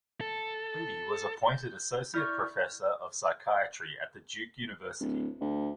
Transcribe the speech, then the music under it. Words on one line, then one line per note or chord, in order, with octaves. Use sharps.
Tweedy was appointed associate professor of psychiatry at the Duke University.
A4
G6
E4 D5 C#6 F6 G6
D1
D2